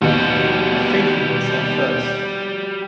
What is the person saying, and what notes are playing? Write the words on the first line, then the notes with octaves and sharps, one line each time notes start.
Have faith in yourself first.
D#2 B2 G3 F#4